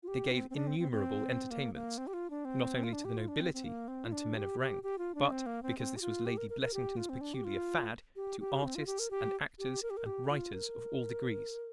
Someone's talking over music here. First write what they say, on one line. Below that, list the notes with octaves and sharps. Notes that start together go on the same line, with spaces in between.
They gave innumerable entertainments, not only to the nobility and to men of rank, but--because this was Lady Blessington's peculiar fad--to artists and actors and writers of all degrees.
F4
G4
C4
C4
D4
C4
C4
C4
A#3
A#3
C4
G4
F4
D4
C4
F4
D4
G4
F4
D4
C4
C4
A#3
C4
F4
D4
G4
G4
G4
F4
D4
C4
A#3
C4
C4
G4
F4
G4
A#4
A#4
A#4
G4
F4
C4
D4
G4
F4
G4
G4
C4
F4
G4
A#4
G4
G4
A#4
G4
A#4
G4
F4
A#4